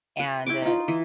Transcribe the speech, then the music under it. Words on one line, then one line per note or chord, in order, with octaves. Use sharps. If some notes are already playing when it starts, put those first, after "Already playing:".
and, uh,
B4
E4 G5 C#6 D6
D#4 F4
E3